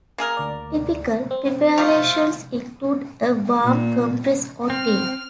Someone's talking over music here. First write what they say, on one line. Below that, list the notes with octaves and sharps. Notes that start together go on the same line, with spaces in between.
Typical preparations include a warm compress or tea.
A#3 G#4 A#4
D2 D5
C4
A3 F4 G4 C5
A#2
C4 F6